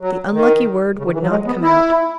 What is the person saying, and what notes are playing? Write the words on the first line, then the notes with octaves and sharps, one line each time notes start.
The unlucky word would not come out.
F#3
D#3
C#3
D#3
E3
F#3
G#3
B3
E4